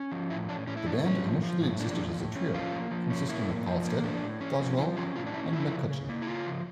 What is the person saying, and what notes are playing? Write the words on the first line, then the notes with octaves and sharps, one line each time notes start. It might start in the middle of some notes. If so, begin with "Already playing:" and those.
The band initially existed as a trio, consisting of Halstead, Goswell, and McCutcheon.
Already playing: C#4
F3
A2 E4
C#4 D4
A2 C#4
E4
A2 D4
A2 C#4
F3
F3
A2
F3 D4
A2
A2
C#4
F3 F4
A#3
F3
C#4
A#3 E4
A2
F3
A#3
A2 D4
A2
C#4
F3
F3 E4
C#4 F4
A2 F4
D4
C#4 E4
F3 E4
C#3
C#3
A#3
E4
C#3 F4
F3